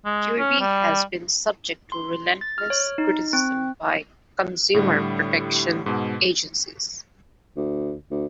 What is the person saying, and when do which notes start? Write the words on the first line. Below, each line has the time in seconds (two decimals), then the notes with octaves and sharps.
Kirby has been subject to relentless criticism by consumer protection agencies.
0.05 G#3
0.39 C#4
0.60 G3
1.92 C6
2.41 A6
2.58 F6
2.70 C#5
2.98 D#4
3.33 C4
4.74 A2 D3 G3
5.86 G#2 B2
7.57 D2
8.11 D2